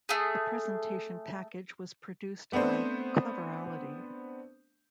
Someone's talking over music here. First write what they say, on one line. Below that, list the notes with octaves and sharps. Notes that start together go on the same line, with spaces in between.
The presentation package was produced by Cleverality.
A3 G#4
A3 B3 C4 D4 C5